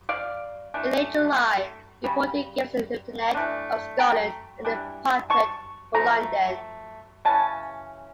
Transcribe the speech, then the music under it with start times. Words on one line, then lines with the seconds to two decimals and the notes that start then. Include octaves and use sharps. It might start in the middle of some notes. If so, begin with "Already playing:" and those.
In late July he appointed Gaveston Lieutenant of Scotland, and departed for London.
0.09 D5 F5
0.74 E3 A3 D4
2.04 C#3 G3
3.35 E3 A3 D4
3.99 G5 A#5
4.65 E3 G3 D4
5.30 A5 C#6
5.94 F3 A3 A#5
7.25 C#3 E3 C#4 A5